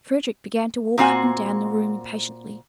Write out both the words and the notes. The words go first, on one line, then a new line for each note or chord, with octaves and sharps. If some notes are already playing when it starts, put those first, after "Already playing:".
Frederick began to walk up and down the room impatiently.
A#2 C4 F#4 G#5